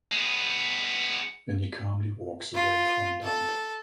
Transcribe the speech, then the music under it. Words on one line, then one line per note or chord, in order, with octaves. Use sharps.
Then he calmly walks away from dump.
G#3 B3
F4
A4